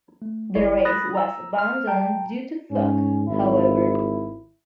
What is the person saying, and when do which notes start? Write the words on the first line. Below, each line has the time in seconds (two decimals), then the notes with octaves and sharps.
The race was abandoned due to fog, however.
0.22 A3
0.55 G1 E4 C#5 D5
0.85 B5 D#6 F#6 A6 A#6
1.15 A#5 E6
1.59 F6
1.87 G5 A5 A#5
2.71 G#2 C#4
3.28 G#1 E4